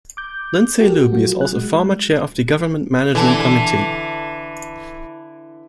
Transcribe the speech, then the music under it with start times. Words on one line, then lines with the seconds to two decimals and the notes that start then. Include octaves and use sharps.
Lindsay Luby is also a former Chair of the Government Management Committee.
0.17 D6 G6
0.80 F#4 G4 A4 A#4
1.12 F#3 F4 F#4
1.41 F#6
1.55 G#3
3.15 D3 E3 A4